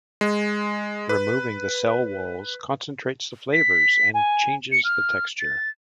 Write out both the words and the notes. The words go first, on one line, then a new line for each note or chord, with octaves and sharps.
Removing the cell walls concentrates the flavours and changes the texture.
G#3
B4
B6
G#5
C#7
F6
A6